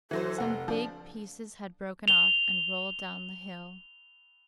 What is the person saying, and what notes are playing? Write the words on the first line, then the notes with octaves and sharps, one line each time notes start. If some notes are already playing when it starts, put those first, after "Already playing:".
Some big pieces had broken off and rolled down the hill.
E3 F#3 A4 C5
F1 F#5
F3 D4
F7 G7